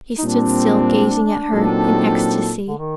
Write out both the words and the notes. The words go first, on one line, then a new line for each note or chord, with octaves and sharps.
He stood still, gazing at her in ecstasy.
D#4
A#2 G3 C4 D4
A#2 F#3 C4 D#4 A4
D3
D#3